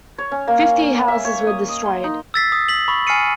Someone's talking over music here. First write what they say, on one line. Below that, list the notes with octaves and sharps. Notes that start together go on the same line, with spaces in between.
Fifty houses were destroyed.
C#5
C#4
A#3
A#3
E5
C#5
D#6
D#5
C6
D#4
E6 A6 B6 C7
D#6
B6 F#7
B5 C#6
G#5 F6 C7 C#7 D#7